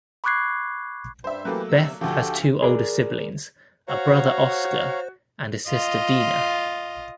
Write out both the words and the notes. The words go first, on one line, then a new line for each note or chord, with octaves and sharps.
Beth has two older siblings, a brother Oscar and a sister Dinah.
B5 C#6 D6 F#6 G#6 C7
G2 G3 C5 E5
E3 F#3 A3 A#3 G4 B4
C3 E6
D2 F3 F#4 G4 A4
G#4 A#4 D5
F#4 C5 C#5 F5 A#5
F4 D#5